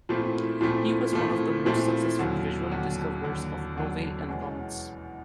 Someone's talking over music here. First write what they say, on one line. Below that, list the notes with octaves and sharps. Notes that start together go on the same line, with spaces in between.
He was one of the most successful visual discoverers of novae and comets.
A#2 F3 A3 C4 E4
A#2 F3 A3 C4 E4
A#2 F3 A3 C4 E4
A#2 F3 A3 C4 E4
D#2 D3 F#3
D#2 D3 F#3
D#2 D3 F#3
D#2 D3 F#3
E2 B2 G#3 C#4